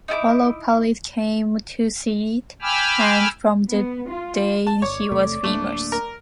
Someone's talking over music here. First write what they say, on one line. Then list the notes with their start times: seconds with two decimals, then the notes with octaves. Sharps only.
All of Paris came to see it, and from that day he was famous.
0.08 D#4 E4 G#5 D6
2.62 G5 G#5 B5 D6 E6 F6
3.70 B3
4.07 F4
4.67 A5
4.82 G1 C#5 D5
5.11 E2 C3 A3
5.44 D1 A3 A#3 D4
5.92 A#4